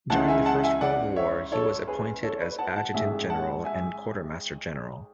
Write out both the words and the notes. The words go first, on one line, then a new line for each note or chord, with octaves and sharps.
During the First World War he was appointed as adjutant general and quartermaster general.
C#2 C#3 E3 F#5 A5
E5 G#5
F#5 A5
E5 G#5
D5 F#5
C#5 E5
A4 C#5
G#4 B4
A4 C#5
B4 D5
F#5 A5
F#5 A5
A1 G#2 G#3 E5 G#5
F#5 A5
E5 G#5